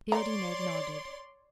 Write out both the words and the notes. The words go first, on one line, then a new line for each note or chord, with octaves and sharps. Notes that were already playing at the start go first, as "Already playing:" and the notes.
Beardy Ned nodded.
C#5 D5 A#5 C6